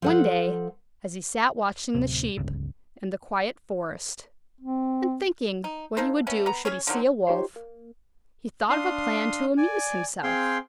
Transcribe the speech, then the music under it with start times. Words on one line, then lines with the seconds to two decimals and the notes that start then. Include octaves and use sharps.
One day as he sat watching the Sheep and the quiet forest, and thinking what he would do should he see a Wolf, he thought of a plan to amuse himself.
0.02 F3 A4 F#5
1.94 D1 C3
2.37 G1 C#2
4.61 C4
5.64 D#4
5.97 C#3 D#4 A4 C5
6.27 A3 B3 C#4
6.46 B3 A#5
6.65 C#4 G#4 C#5
6.87 D3 D#3 F#3 C4
7.27 D#4 F4 G4 C5 C#5 C6
7.56 A#3
8.70 D4 F5 C6 D#6
9.57 D5 G#5
10.23 C4 G#4 F5 G5 C6